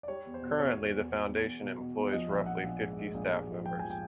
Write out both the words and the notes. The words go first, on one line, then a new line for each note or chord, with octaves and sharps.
Currently the Foundation employs roughly fifty staff members.
D5
G3 C#5
E2
C5
B2
E2 C#5
E2
E2
E2
E2
E2
B2
B2
E2
F3 D#5
A#1 E5
A#1 F#5
A#1
G#2
G#3
A#1
G#2
F3
F3 G5
F3 G#5
G5